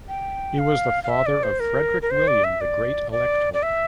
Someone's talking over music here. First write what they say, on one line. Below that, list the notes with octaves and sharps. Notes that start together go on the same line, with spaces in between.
He was the father of Frederick William, the "Great Elector".
G5
F5
F5
E5
D5
C5
A#4
A#4
C5
D5
E5
D5
D5
D5
E5